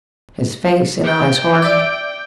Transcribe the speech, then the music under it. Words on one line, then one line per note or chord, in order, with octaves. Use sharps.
His face and eyes hardened.
G5
D5 E5 D7